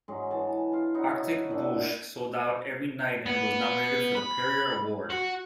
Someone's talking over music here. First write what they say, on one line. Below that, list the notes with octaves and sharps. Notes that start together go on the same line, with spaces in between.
"Arctic Boosh" sold out every night and was nominated for the Perrier Award.
G#2 F#3 G#3
E3 A5
F4 F5
D#4 E4 F#4 C#5
A#2 D4 E5 F#5
B3
B5
F#4